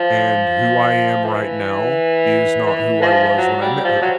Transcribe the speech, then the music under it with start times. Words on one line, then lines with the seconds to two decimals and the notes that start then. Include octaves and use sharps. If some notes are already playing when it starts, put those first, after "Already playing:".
and who I am right now, is not who I was when I met her.
Already playing: F3
1.24 E3
2.67 E3
3.02 F3
3.38 F#3
3.61 G3
3.84 F3
4.02 F#3